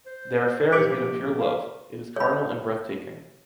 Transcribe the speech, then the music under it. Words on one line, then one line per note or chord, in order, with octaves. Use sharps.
Their affaire is made of pure love, it is carnal and breathtaking.
C5
A#1 C3 C#6 D6 B6 D7
F5
C#5 B5